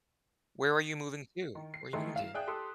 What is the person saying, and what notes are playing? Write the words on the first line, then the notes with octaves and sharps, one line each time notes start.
Where are you moving to? Where you moving to?
D#3
C7
D#3 G#3 A3 E4 G#4
F5 E7
G#4 D5 E5 G5 D#6 F#6
G4 A4 C6